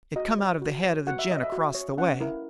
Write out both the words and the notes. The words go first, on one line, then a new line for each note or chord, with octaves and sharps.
It come out of the head of the gent across the way.
F#4 D#5
C#5
F#4
C#5
F#4 F#5
E5
C#5 D#5
E5
F#4
C#5
C#4 F#5
E4 A#4